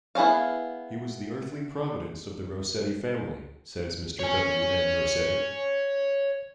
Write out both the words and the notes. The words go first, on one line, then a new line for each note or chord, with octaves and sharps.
'He was the earthly providence of the Rossetti family,' says Mr. W. M. Rossetti.
B3 E4 G#4 C#5 F5
C#5 G#5